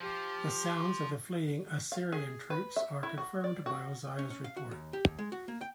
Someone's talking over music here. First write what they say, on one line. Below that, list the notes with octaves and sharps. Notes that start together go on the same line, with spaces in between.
The sounds of the fleeing Assyrian troops are confirmed by Ozias' report.
F3 G4
F5
G#4
B4
E5
E4
F#4
D5
F#4
C#4
C#4
F5
F#4
D#2
G4
D#2
G#3
F#4
A#3
G5